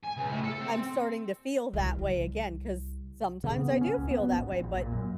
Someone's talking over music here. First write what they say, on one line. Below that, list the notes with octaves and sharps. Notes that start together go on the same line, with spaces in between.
I'm starting to feel that way again, 'cause sometimes I do feel that way, but
G#5
C#2
A2
A4
C4
C2
C2
C#3
B3
C#4
C#2
B3
G#1
A#1
A#1
A#2
F#2